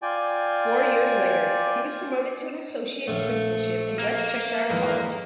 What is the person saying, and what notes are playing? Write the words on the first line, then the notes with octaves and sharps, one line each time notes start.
Four years later, he was promoted to an associate principalship at West Cheshire College.
F4 D5 G5 G#5
A#1 A3 C#5 F5
A#3
F2 G#2 E3 B4